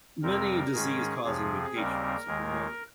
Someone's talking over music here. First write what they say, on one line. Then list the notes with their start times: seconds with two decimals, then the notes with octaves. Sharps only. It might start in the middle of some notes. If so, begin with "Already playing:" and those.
Many disease-causing mutations have been noted.
0.22 F2 C3 G3 C4 A#4
0.73 G#2 D#3 G#3 C#4 G#4
1.24 F2 C3 F3 G#4
1.75 D#2 C#3 G3 C4 A#4
2.26 D#2 D#3 G#3